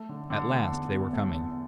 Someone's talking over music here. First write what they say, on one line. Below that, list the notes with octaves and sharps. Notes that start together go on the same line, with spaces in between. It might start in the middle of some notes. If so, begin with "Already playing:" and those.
At last, they were coming.
Already playing: A3
D3
D3
A3
E2
E2
A3
E2